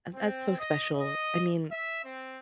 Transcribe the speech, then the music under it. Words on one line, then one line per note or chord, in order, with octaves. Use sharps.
Uh, that's so special. I mean
C4
D#5
D#5
E5
C4